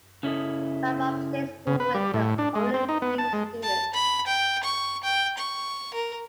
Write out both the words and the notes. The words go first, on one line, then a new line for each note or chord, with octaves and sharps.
Marlborough State School with only a few students.
C#3 C#4 E4 A4 D#5
C#3
B4
G3
A2
D4
G#3
C4
D#4
B3
A5
G#3
A5
B5
G5
C#6
G5
C#6
A#4